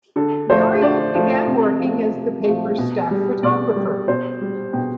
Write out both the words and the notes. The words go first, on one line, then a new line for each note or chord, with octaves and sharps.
Muriel began working as the paper's staff photographer.
D3 A4
F3 A3 C5
D3 D5
F3 A3
C3
F3 A3
C3
F3 A3
B2
G3
B2 D5
G3
B2 C5
G3
B2 G5